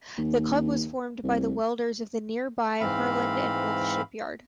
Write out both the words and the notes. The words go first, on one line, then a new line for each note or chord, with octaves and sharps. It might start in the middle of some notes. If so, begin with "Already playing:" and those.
The club was formed by the welders of the nearby Harland and Wolff shipyard.
D#2
C2
G#2 E3 C4 F5 B5